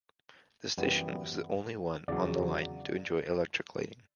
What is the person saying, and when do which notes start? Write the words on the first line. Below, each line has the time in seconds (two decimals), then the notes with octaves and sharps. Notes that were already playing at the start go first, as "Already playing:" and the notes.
The station was the only one on the line to enjoy electric lighting.
0.78 F#2 E3 G3 B3
2.08 E2 C#3 F#3 D5